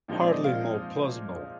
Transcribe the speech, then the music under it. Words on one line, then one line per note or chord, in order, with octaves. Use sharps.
Hardly more plausible.
A#2 F3 G#3 C4 D#4
D5
D#5
F5